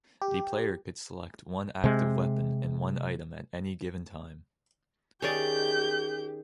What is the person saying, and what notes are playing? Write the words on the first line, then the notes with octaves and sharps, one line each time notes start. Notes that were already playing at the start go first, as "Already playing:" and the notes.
The player could select one active weapon and one item at any given time.
G4
C3 G#3
D#3 C#4 G4 G#4 D5 G6